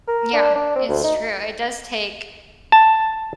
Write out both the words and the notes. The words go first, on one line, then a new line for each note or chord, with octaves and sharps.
Yeah, it's true. It does take
A#4
D4
D4
C4
D2
D#4
A5